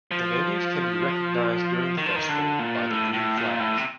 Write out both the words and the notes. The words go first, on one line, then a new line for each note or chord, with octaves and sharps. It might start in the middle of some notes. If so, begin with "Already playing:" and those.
The venues can be recognised during the festival by the green flags.
F3
D#3
F3
D#3
D3
A#2
A2
A2
A#2
A2
C3